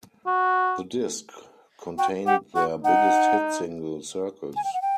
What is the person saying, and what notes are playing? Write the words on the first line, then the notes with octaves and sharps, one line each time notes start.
The disc contained their biggest hit single, "Circles".
F#4
F#4 G5
G4 F#5
F#4 F#5
D#4 F#5
G#5
G5
F#5
G5